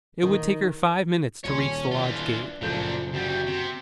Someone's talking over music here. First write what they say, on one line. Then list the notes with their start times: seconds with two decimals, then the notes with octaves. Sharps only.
It would take her five minutes to reach the lodge gate.
0.23 D#3
1.44 D#1 C#5 G#5 C6
1.92 E3 D4 F4
2.61 F#1 A#2 F3 A3 D4 G6
3.13 D2 G3 F#4
3.46 C3